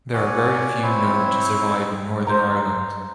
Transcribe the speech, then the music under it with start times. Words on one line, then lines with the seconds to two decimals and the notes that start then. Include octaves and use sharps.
There are very few known to survive in Northern Ireland.
0.14 C#5 D5 F#5 G#5
0.83 C4 E4 C#5
2.27 C5 A#5